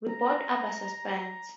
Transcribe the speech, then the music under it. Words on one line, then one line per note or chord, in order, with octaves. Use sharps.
We both abhor suspense.
A#5
A#5